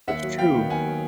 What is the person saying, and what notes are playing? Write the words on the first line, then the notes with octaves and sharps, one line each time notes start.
That's true.
D#2 E5 F#5
F#3
B3 F5 G5
D#3
D#2 F#5 G#5
F#3